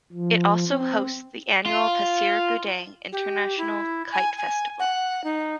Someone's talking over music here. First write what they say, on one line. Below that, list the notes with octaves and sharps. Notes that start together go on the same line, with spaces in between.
It also hosts the annual Pasir Gudang International Kite Festival.
F3
C4
F4
G4
E4
G#5
G#5
F#5
D#4